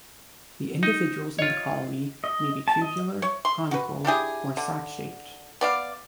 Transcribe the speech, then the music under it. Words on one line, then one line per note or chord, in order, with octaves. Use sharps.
The individuals in the colony may be tubular, conical, or sac-shaped.
D#4
F4 C#5 D#5
D#5
A5
D#5
C#5
C6
F#4 B4
D4 E4 G4 G#4
D3
B3 D5 F5